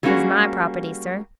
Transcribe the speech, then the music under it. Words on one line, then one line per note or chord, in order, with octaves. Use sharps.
"He's my property, sir."
F#3 G3 A#3 C#4 F#4 G#4